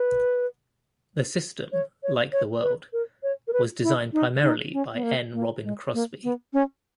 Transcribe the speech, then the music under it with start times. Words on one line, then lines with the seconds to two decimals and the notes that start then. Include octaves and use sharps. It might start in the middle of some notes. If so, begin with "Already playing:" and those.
The system, like the world, was designed primarily by N. Robin Crossby.
Already playing: B4
1.72 C#5
2.03 C#5
2.32 C#5
2.63 B4
2.93 A#4
3.23 C#5
3.47 A#4
3.53 B4
3.83 E4
4.13 D#4
4.43 D#4
4.73 C#4
4.94 B3
5.03 A#3
5.33 A#3
5.63 G#3
5.94 A#3
6.23 B3
6.53 C#4